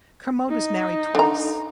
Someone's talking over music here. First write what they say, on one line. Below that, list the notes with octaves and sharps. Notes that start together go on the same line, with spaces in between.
Kermode was married twice.
D#4
D3 A#5